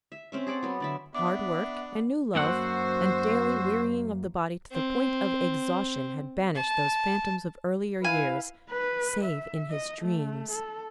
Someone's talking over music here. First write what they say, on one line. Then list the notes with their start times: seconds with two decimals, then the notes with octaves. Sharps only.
Hard work and new love and daily wearying of the body to the point of exhaustion had banished those phantoms of earlier years, save in his dreams.
0.12 E5
0.32 C4 C#4 E5
0.47 G#4 A4 D5 F#5
0.63 F#3 B3
0.80 D3 D5 E5
1.15 B3 D4 E5 D6
2.35 F#2 A#3 F#4 C5 F#5 E6
4.72 C4
6.55 A5
8.04 E4 B4 F5 G#5
8.70 B4
9.25 E5
9.71 D#5
10.02 A3
10.51 A4